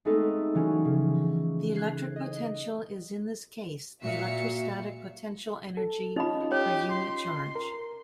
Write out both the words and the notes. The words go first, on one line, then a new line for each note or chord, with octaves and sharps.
The electric potential is in this case the electrostatic potential energy per unit charge.
G#3 A3 B3 C4 D#4 A4
E3 F#3 G3 C#4
C#3 E3 F3
F#6 G#6 C7
D#5
A#2 F#4 E5 F5 C#7
A4
C#4 D#4 F4 D#5 B5
G4 C#5
C6
A#4